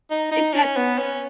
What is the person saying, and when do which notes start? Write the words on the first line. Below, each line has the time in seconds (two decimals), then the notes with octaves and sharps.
it's got s
0.10 D#4
0.32 D#4
0.54 C#4
0.76 B3
0.98 C#4